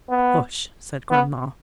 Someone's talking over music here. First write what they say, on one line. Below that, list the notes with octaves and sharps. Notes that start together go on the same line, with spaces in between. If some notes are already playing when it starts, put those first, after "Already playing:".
"Hush!" said grandma.
B3
B3